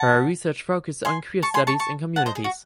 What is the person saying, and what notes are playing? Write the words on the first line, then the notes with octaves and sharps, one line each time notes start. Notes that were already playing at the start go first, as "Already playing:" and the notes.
Her research focuses on Queer studies and communities.
Already playing: F#5 A5
G#5 C6
A5 C#6
G#5 C6
A5 C#6
A5 C#6
F#5 A5
C5 D#5
G#4
F#4